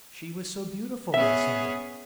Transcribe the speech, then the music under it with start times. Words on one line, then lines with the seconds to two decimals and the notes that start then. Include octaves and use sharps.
She was so beautiful on Sunday.
1.14 B3 C#4 G#4 E5